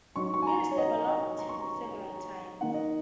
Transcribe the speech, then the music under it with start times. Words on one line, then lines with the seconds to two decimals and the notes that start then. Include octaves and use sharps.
It is developed several times.
0.16 F#3 D#4 C#6
0.34 C#6
0.42 G#5
0.47 A#5
0.71 C#5
0.78 D#5
1.08 D#5
1.39 A#5
1.49 C#6
1.60 A#5
2.61 D#3 A#3 D#4 F#5
2.74 D#5